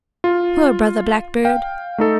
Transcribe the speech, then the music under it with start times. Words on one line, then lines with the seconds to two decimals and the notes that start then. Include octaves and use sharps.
Poor Brother Blackbird!
0.24 F4
1.45 F5 G5
1.98 A3 D#4 A4